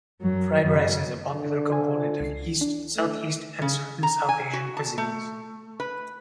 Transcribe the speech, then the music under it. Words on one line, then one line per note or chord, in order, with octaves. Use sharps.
Fried rice is a popular component of East, Southeast and certain South Asian cuisines.
F#2 F#3
F#2 C#3
D3
F4 C5 G#5
C#2 C7
D4
A3
C#3
A#5
G#5
F#4
A5
A3
B4